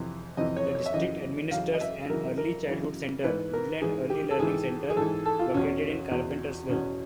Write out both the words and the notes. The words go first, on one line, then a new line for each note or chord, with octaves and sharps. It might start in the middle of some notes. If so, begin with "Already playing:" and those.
The district administers an early childhood center, Woodland Early Learning Center, located in Carpentersville.
Already playing: F2 C3 E3
F2 C3 E3 D#5
C#5
C#5
E5
F#2 C#3 E3 D#5
F#2 C#3 E3 F5
D#5
E5
F#2 C#3 E3 A#4
A#4
F#2 C#3 E3
G#2 E3 B4
A#4
G#2 E3 G#4
G4
A4
G#2 E3 G#4
G#4
G#2 E3 A4
A4
F4
E2 B2 C#4
E2 B2
E2 B2 C#4